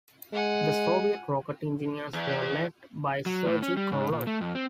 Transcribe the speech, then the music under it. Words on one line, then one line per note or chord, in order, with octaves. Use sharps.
The Soviet rocket engineers were led by Sergei Korolev.
G#3 F#5 G#5
E2
F#3
A2
C#4
G3
G#2
A#2
A3
F2
C4